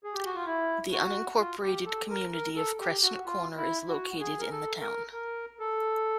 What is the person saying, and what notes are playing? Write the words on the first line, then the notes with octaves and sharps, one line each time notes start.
The unincorporated community of Crescent Corner is located in the town.
G#4
G4
F#4
F4
E4
F#4
F4
G4
A4
A#4
A#4
A4
G4
F#4
F4
E4
F#4
G#4
A#4
A4
A#4
A#4
A4